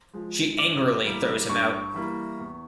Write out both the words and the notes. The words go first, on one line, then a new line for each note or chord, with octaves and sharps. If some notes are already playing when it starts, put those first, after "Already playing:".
She angrily throws him out.
F3 G#3
G2 D6
E3 G3 A#3
G2 C#6
E3 G3 A#3
E2